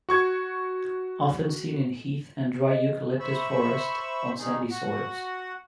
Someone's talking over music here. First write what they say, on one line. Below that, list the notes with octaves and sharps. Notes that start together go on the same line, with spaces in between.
Often seen in heath and dry eucalyptus forest on sandy soils.
F#4 C#6 G#6
D#5
C5 E5 B5 C#6 E6
D#3 G3 D#4 G#4
F#4 F#5